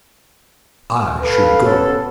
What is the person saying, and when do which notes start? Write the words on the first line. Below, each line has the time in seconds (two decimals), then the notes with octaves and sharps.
"I should go."
1.22 A4 B4 F5
1.63 B3 C#4 A4